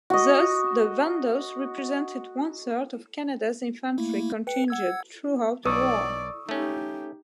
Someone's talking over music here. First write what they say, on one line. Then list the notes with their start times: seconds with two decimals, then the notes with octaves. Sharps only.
Thus the "Van Doos" represented one-third of Canada's infantry contingent throughout the war.
0.10 F#4 D#5
3.98 A3 A#3 E4
4.47 B4 G5 C#7
4.68 F#5 E6 G#6
5.65 B1 D5 C#6 D#6 E6
6.49 A3 C#4 D#4 G4